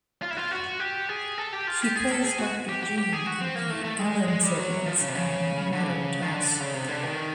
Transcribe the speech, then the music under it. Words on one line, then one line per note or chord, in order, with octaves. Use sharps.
She plays Doctor Jean in the "Alan" segments on "Modern Toss".
F4
E4
F4
F#4
G4
G#4
A4
G4
F4
G4
G#4
A4
G#4
F#4
G4
G4
G4
G#4
F#4
C4
A#3
A3
A3
G#3
G#3
G3
F#3
F3
C#3
C3
C#3
D3
C#3
D#3
D3
C#3
C3
D3
D#3